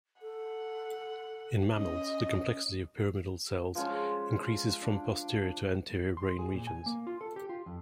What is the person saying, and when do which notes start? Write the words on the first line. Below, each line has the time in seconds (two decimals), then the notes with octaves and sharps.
In mammals, the complexity of pyramidal cells increases from posterior to anterior brain regions.
0.22 A4 F#5
1.75 C#4 D#5
3.75 F3 G#3 C#4 F4
4.81 D4
6.17 C6
6.39 G#4
6.54 A#2
6.67 G#5
6.86 A#3
7.07 F4
7.21 A4
7.36 G4
7.49 F4
7.66 F2